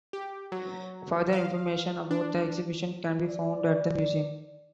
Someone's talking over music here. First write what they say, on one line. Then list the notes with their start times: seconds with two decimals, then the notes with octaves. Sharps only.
Further information about the exhibition can be found at the museum.
0.13 G4
0.52 F#3
1.33 F5
2.11 D4
3.27 D5